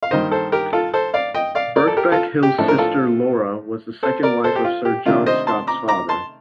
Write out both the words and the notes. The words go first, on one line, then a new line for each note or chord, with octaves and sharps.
Birkbeck Hill's sister Laura was the second wife of Sir John Scott's father.
F5
G2 D#3 A#3 D#4 C5 D#5
A4 C5
G4 A#4
F4 A4
A4 C5
D5 F5
D#5 G5
D5 F5
A#4 D5
A4
G4 A#4
F4 A4
G4
A2 F3 A3 D4 A4
A#4
F4 A4
A4 C5
A#4 D5
A4 C5
G4
F4
G4
C3 D#3 A3 D4 F4
C5 D#5
A5 C6
A#5 D6
A#5 D6
A5 C6